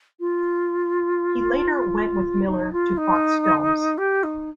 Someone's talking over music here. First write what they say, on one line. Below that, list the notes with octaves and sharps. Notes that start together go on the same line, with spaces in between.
He later went with Miller to Fox Films.
F4
D#4
F4
D#4
G4
D#4